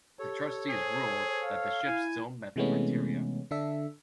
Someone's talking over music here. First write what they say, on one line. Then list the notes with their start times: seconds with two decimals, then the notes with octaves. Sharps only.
The trustees ruled that the ship still met the criteria.
0.19 G4 A4 C#5
0.69 G#4 C5
1.44 F5
1.86 E4 G#5
2.56 C3 E3 G#3 A3 B3 C#4
3.51 D3 D4 A4 E5